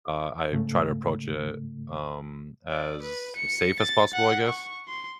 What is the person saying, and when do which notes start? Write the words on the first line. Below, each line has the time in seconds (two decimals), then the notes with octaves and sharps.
uh, I've tried to approach it, um, as safe as possible, I guess.
0.52 G#2 C#3 A3
2.71 D5
3.02 B4
3.35 C#7
3.79 A6
4.13 F#5
4.48 C#6
4.88 C6